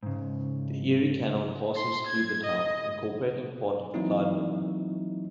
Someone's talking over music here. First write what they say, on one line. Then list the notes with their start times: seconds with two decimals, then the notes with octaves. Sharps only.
The Erie Canal passes through the town, incorporating part of the Clyde River.
0.03 G#2 C#3
1.76 C6
2.06 G#6
2.44 D#5
3.94 E3 F#3 A#3 C4 D#4 E4